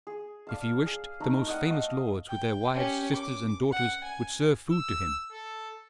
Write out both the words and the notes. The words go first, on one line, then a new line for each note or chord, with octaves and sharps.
If he wished, the most famous lords, with their wives, sisters, and daughters, would serve food to him.
G#4
D5 F5 A5
G#4
A3 D#4 A#4
D5 D#5 F#5 G5
D#5 F5 A5 C#6
G5
C#4 G4
D6
F#5
G#5
E6
A4